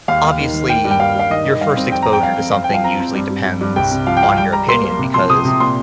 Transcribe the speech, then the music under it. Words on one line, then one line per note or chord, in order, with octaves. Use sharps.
obviously, your first exposure to something usually depends on your opinion, because,
D#2 F5
D#2
D#3
D#3
A#3 G5
G2
G5
G2 F5
G2 F5
D#3 D#5
D#3
G3 F5
C4
F2 G5
A#5
F2
G5
F2 F5
F2
C4 F5
G5
F3 F5
C4 A#5
C4
G2
G2
G2
G2
C2 G5
C3
F3 F5
G5
C3 F5
G3 G5
G3 A#5
A#3 C6
A#3
C3
F3 C6
C3 D#6
C3
A#2 C6